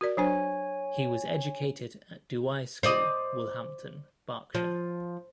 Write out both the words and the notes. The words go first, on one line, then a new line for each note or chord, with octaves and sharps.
He was educated at Douai School, Woolhampton, Berkshire.
F#4 A#4 D5
F#3 D4 C5 C#5 G#5
C5 D5 D#5
F3